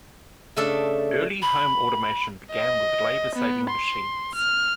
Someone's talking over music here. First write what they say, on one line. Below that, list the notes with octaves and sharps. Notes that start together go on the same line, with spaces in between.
Early home automation began with labor-saving machines.
C#3 A3 D4 A4 E5 A5
B5
D#5
B3
C6
F6